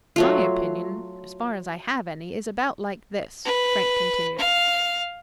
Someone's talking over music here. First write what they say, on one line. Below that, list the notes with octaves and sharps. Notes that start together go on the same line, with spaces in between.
"My opinion, as far as I have any, is about like this," Frank continued.
F#3 A3 F4
B4
F5